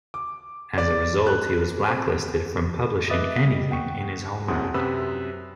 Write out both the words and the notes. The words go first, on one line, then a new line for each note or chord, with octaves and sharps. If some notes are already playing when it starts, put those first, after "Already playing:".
As a result, he was blacklisted from publishing anything in his homeland.
D6
D5
F#6
C4
B4 D#5 E5 D6 D#6 A6
G3
F#5 G5 C#6
C2 F#2 C4 G#4 F#5 D#6
F#2 C3 B4 B5 E6